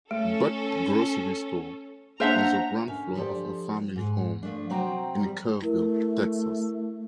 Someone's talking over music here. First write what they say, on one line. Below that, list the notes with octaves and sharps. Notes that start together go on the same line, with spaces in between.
Butt Grocery Store on the ground floor of her family home in Kerrville, Texas.
A3 C#4 A4
A#3 D4 C5 E5 F#5 A#5
D3 C#4
F3 G4 A4 C5 D5
G#2
F3 A3 D4
C3 F#3 C4 C5 G5 A#5
F3 G3
A3 E4 A#4